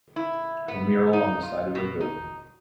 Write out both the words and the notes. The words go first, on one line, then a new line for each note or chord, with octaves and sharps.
A mural on the side of a building.
E4
B3
D#4
F4
B2
D#4